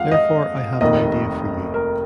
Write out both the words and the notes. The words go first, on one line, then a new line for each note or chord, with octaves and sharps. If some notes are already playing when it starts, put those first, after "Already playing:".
Therefore I have an idea for you.
Already playing: F2 G#3 F5 F#5
D#5
F1 D#2 D#3 D#5
A#4